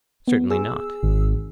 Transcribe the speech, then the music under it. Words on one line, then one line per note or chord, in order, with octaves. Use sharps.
Certainly not.
B3
G#4 E6
G#1